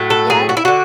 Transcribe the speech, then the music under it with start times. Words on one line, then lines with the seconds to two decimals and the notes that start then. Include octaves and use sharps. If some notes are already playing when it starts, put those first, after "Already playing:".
Yeah, uh
Already playing: A2 F#3 A3
0.10 A4
0.30 G#4
0.49 F#4
0.57 E4
0.65 D3 F#4